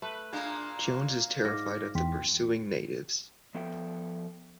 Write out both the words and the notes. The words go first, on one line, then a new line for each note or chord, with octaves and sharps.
Jones is terrified of the pursuing natives.
A3 B4
A#2 A#3 D4 G#4 F#6
G#2 D6 F6 A#6
E2 G5 C6 B6
F3 B3 A4 E5 G5